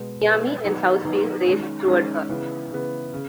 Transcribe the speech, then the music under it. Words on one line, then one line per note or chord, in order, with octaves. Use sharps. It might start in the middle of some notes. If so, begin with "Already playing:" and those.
"Miami" and "Southfield" raced toward her.
Already playing: B2 G#3 B3
B2 G#3 B3
D#3 F#3 B3 D#4
D#3 F#3 B3 D#4
D#3 G#3 C#4
D#3 G#3 C#4
C#3 E3 B3
C#3 E3 B3
C#3